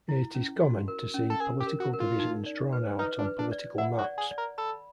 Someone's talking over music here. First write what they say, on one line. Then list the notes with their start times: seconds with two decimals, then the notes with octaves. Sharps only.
It is common to see political divisions drawn out on political maps.
0.09 E4
0.35 C#4
0.61 F#4
0.88 A#4
1.14 C#4
1.30 A4
1.40 G#4 A#4
1.60 G4
1.67 A#4
1.80 F#4
1.93 A#4
2.00 F4
2.20 D#4
2.46 D5
2.73 B4
2.99 D#4 B4
3.19 D4
3.25 B4
3.39 D4
3.52 D5
3.78 E4 F#5
3.98 F#4
4.04 D5
4.18 G#4
4.31 D5
4.38 A#4
4.58 A4 B5